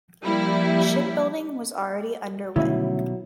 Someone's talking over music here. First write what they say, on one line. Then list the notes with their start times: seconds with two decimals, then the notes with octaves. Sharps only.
Shipbuilding was already underway.
0.23 F3 G3 A#3 E4
2.56 B2 D3 D#3 F#3 G3 A3 C#4 E4